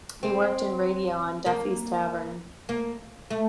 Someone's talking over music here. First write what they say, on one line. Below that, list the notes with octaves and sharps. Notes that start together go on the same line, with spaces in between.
He worked in radio, on Duffy's Tavern.
C4
A#3
A#3
A3